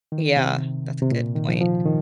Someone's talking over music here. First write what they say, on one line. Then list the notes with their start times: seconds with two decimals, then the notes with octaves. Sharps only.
Yeah, that's a good point.
0.12 D#3
0.37 C3
1.02 C3
1.11 A#2
1.23 C3
1.36 D#3
1.48 F3
1.61 F3
1.86 D#3